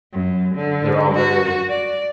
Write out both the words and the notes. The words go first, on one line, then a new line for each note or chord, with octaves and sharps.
They're all very
F#2
D3
F#4
D5